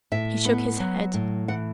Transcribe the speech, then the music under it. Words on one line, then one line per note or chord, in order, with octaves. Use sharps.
He shook his head.
A2 E5
B3
F#3
A2
E3 F#5